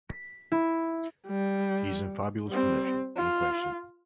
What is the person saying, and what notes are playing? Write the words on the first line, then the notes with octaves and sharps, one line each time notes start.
He's in fabulous condition, no question.
B6
E4
G3
G3 C4
F4